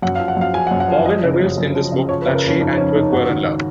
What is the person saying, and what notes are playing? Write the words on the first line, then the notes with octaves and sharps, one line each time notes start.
Maugin reveals in this book that she and Twig were in love.
F#2 F#5
F5
F3
F#5
F#2 F5
F3 G#5
F#5
F#2
F#5
F3 F5
F3 D#5
C#3
F#2
F#2
F3
C#3
F3 C#5
B4
C#3
A#4
F2 C#4
F2 D#4
F3 C#4
C#3 D#4
G#2 F#4
D#3